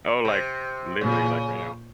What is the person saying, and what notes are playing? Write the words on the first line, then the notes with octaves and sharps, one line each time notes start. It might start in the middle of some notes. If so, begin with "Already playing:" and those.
Oh, like, literally, like, right now.
C3
A#2 C#3